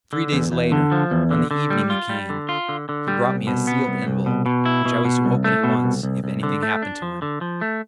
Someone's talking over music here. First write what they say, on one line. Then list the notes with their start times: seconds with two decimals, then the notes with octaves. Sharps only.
Three days later, on the evening you came, he brought me a sealed envelope, which I was to open at once, if anything happened to him.
0.13 D3
0.32 E2
0.52 E2
0.72 D3
0.92 F3
1.11 E2
1.31 D3
1.51 D3
1.70 G3
1.90 F4
2.09 G3
2.30 D3
2.49 F4
2.69 D3
2.89 D3
3.08 G3
3.28 C2
3.47 B2
3.67 B3
3.87 C2
4.07 C2
4.26 B2
4.46 B2
4.65 E4
4.85 B2
5.05 B2
5.25 C2
5.44 A3
5.64 B2
5.84 C2
6.03 C2
6.24 C2
6.43 D3
6.63 A3
6.82 D4
7.02 F3
7.22 D3
7.41 F3
7.61 A3